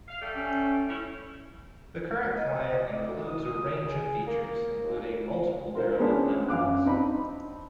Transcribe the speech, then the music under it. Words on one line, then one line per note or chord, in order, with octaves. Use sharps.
The current client includes a range of features, including multiple parallel downloads.
F5
G3 A3 A4
C#4
A3 C#4 E4
D#5
D5
D2
D#6
G#4
A#3
D#2
F4 A#4 C5
G#3 B3 C#4 D4
F#2 F5 D6 F#6
C4 D4 D#4 B5